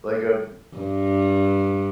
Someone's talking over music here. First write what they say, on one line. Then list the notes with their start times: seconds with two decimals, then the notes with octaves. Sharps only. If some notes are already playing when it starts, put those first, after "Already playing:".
like, um
0.77 G2